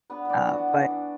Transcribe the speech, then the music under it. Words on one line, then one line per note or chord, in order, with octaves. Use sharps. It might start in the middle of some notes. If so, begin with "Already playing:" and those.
uh, but.
B3 D4 B4
E3 D4 B4 D5
D4 F#4 F#5
E3
D4